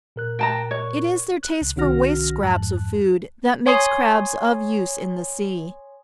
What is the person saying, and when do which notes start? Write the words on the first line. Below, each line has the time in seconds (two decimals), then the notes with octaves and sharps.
It is their taste for waste scraps of food that makes crabs of use in the sea.
0.16 A#2 A#4 F#6
0.39 G5 A5 A#5
0.71 C#5
1.43 F#6
1.62 C#2
1.76 C2 D#3 C#4 F#4 F6 A#6
2.41 F2 G#2 A5 F#6
3.66 C#5 G#5 C6 D#6 C7